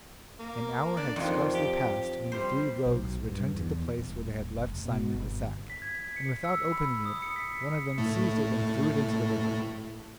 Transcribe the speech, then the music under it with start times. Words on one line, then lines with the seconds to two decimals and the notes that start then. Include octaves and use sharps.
An hour had scarcely passed when the three rogues returned to the place where they had left Simon in the sack, and without opening it, one of them seized it and threw it into the river.
0.39 A#3
0.97 D4 D5
1.16 F2 D#3 F3
1.54 G4
2.32 G3 C5
2.86 B1
3.30 G2
3.55 E2
4.00 D#1
4.59 F1
4.85 B2
5.14 G1
5.70 B6
5.82 G#6
5.95 B6
6.16 C#7
6.29 C#7
6.44 E6
6.72 B5
7.06 D#6
7.22 C#7
7.36 B6
7.57 C#7
7.98 A2 A3